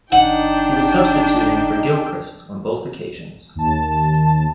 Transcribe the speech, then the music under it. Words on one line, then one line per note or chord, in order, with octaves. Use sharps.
He was substituting for Gilchrist on both occasions.
G1 D4 D#4 F#5 G5
D#2 A5